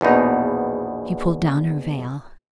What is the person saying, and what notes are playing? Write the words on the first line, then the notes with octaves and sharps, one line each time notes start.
She pulled down her veil.
A#1 E2 B2 D#4